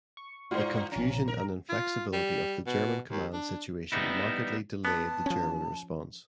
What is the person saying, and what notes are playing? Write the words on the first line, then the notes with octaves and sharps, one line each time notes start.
The confusion and inflexibility of the German command situation markedly delayed the German response.
C#6
G2 F4 C5
A#1 C#4 A#5
A#4
F4
G3
B2
D#2
D4
G3 B3 D#4 E4
B3 A5
F3 C#4